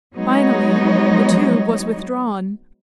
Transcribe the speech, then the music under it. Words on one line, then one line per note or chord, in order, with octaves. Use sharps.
Finally the tube was withdrawn.
F#3 G#3 B3 D#4 C#5 D#5